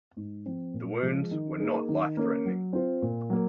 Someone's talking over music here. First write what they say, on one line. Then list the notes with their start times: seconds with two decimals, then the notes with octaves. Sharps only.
The wounds were not life-threatening.
0.17 G#2
0.46 F3 C4
0.74 A#2
1.02 F3 G#3
1.31 D#3
1.60 A#3 D#4 G#4
1.89 D#3
2.17 A#3 C#4
2.46 F#3
2.73 C4 F4 C5
3.02 A#2
3.30 F#3 A#3